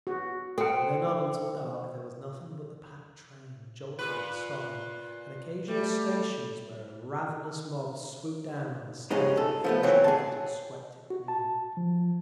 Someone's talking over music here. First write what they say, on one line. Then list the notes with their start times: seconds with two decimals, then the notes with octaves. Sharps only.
From then on until dark there was nothing but the packed train, jolting and stopping, and occasional stations where a ravenous mob swooped down on the scantily-furnished buffet and swept it clean....
0.07 F#4
0.58 C4 A4 G5
3.99 A#2 B4
5.68 G3 A3
9.11 G2 C#3 F3 G#3 D#4
9.37 A4
9.64 F3 A3 B3
9.83 E3 F#3 C4
10.04 G#4 A5
11.10 F#4
11.28 A5
11.77 F3